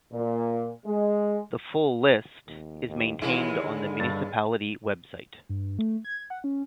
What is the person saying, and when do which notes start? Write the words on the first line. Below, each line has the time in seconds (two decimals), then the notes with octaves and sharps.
The full list is maintained on the municipality web site.
0.12 A#2
0.85 G#3
2.47 D#2
2.88 D#2
3.22 D#2 E3 G#3 E4
3.63 D3
4.00 G2 A6
5.49 G2
5.79 A3
6.05 G#6
6.30 F#5
6.44 C#4